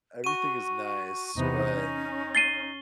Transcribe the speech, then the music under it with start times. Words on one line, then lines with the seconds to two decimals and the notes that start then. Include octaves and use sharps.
everything is nice, but,
0.24 F#4 C#6 D#7
1.35 E2 C3 B3 D#4
1.67 C#4
2.35 A6 C7 D#7 G7